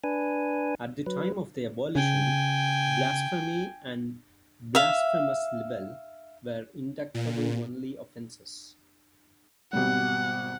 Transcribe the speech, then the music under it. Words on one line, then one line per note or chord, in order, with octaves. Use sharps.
At the time of their abolition, blasphemy and blasphemous libel were indictable-only offences.
D4 B4 G#5
F#3 B4
C#3 G5 G#5
E5 F5
A#2
G#1 B2 G3 F#5